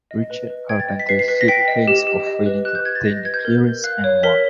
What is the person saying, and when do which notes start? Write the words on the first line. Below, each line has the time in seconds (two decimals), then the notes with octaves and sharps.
Richard Carpenter sued Haynes for failing to obtain the clearances and won.
0.11 D#5
0.30 B4
0.50 B4
0.69 G5 G#6
0.80 A6
0.89 D#5
0.99 B6
1.09 B4 C7
1.19 C7
1.28 B4 B6
1.41 A#6
1.48 G5 B6
1.68 D#5
1.88 G4
2.07 G4
2.26 D#5
2.46 B4
2.65 G4 F#6
2.75 G6
2.85 G4 G#6
2.95 A6
3.06 D#5 A#6
3.25 B4 G#6
3.34 G6
3.44 A#4 G#6
3.65 A#4
3.84 F5 F#6
4.04 C#5
4.23 A#4 B6